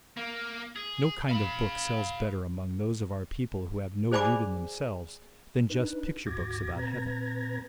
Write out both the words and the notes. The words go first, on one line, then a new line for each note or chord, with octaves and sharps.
No kind of book sells better among those of our people who have no root in themselves than just picture-books about heaven.
A#3
G#4
F5 B5
G#4 C5 D5 G#5 B5 D6
D4 D#4 B4
D2 G#2 F#4 D6 G#6 A#6
A#2 C4 B4 A#5 G#6 A#6